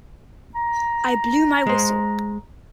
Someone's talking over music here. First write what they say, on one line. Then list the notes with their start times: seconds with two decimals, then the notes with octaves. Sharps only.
I blew my whistle.
0.55 A#5
1.67 G#3 C5